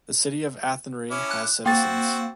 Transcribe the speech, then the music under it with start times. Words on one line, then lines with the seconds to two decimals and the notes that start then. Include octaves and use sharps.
The city of Athenry has citizens.
1.11 C#4 E4 D6
1.31 F#6
1.66 A#3 C4 F#4 G5 A6